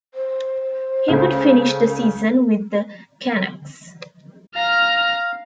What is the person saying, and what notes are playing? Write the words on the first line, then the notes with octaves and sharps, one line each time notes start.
He would finish the season with the Canucks.
C5
C#2 C#3 A3
F5 A#5 F6